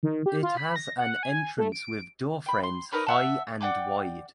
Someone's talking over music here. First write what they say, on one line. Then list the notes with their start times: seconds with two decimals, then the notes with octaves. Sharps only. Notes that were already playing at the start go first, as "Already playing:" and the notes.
It has an entrance with door frames high and wide.
0.03 D#3
0.26 G4
0.43 F4
0.57 B5
0.76 A#6
0.98 F#5
1.23 G#5
1.58 A3
1.72 D7
2.46 G5 B5
2.63 C6
2.92 D#4 A#4 B4 C#5
3.07 E5 F#5 A5
3.61 D5 F#5 G5 D6